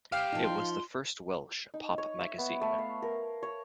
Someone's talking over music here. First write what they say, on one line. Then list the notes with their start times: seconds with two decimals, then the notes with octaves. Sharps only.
It was the first Welsh pop magazine.
0.12 C2 G4 F5 G5
0.32 F3 D#4
0.44 C6
1.74 D#4
1.98 C#5
2.21 E5
2.38 B3
2.61 A3
2.78 F5
3.02 A#4
3.43 C#5